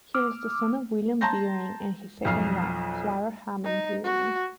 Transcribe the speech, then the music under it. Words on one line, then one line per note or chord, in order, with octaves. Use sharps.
He was the son of William Deering and his second wife, Clara Hammond Deering.
D6 E6 F6
A5 A#5 C6 G6 A#6
B1 F2 F6 C7
D#4
F#4